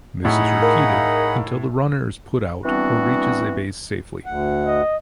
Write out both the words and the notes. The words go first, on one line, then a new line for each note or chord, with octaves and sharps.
This is repeated until the runner is put out or reaches a base safely.
A2 D#4 G#4 F#5 B5
A#4 F5
E3 G3 B3 C4 D4 F#4
D2 F#5
D#5